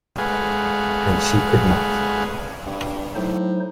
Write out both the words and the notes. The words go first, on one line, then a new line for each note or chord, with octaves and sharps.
And she could not.
G#3 A3 G#4 B4 F5 F#5
G2
A2 F#3 D#4 C5